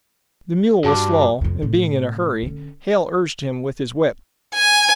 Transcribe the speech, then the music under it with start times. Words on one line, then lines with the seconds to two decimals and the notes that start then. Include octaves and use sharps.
The mule was slow and, being in a hurry, Hale urged him with his whip.
0.84 G2 F#4 A5 D6
1.41 F2 C3
1.62 A2 C3
2.42 D3 C#4
4.55 G#5